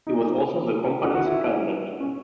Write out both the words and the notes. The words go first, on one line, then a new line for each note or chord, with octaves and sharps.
He was also the company's president.
D#4
F#4
F#4
E4
C#4